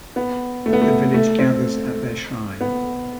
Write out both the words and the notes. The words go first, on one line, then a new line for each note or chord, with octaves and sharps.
The village gathers at their shrine.
B3
A3
B3
A3
A3
C4
B3